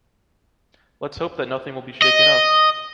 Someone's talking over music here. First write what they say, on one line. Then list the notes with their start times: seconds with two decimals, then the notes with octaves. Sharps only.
Let’s hope that nothing will be shaken up!
2.02 D#5